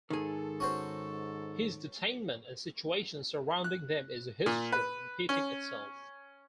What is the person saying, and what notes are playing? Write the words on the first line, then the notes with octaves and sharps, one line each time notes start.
His detainment and situations surrounding them is history repeating itself.
G#2 D#3 G#4 A4
C#4 F#4 C5
F#6
A#2
B4
C#4